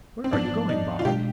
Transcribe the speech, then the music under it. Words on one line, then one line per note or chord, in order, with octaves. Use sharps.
"Where are you going, Bob?"
C4
G#2 F3 B3 D4
D#4
F4
B2 G#3 D4 G4